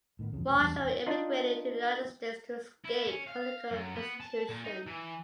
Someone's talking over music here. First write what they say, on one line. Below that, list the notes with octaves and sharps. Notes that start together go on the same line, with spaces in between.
Marshall emigrated to the United States to escape political persecution.
A2 D#3 B3
D#1 F2 C#3 E3
F1 D2 B2 D3
E2 G3 G#3
E1
D4 D#4 F4
E4
C#4
F5
F#2
B3
A5
A#2
D#4
E3